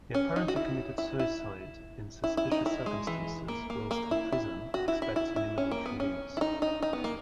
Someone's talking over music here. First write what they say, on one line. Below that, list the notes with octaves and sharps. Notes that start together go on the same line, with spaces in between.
He apparently committed suicide in suspicious circumstances whilst in prison expecting imminent release.
C#4
D#4
F#4
E4
E4
E4
E4
E4
D#4
E4
G#3
E3
A#3
A#3
A#3
E4
E4
F#4
E4
E4
E4
E4
C#4
A#3
B3
C#4
E4
D#4
D#4
D#4
B3
A#3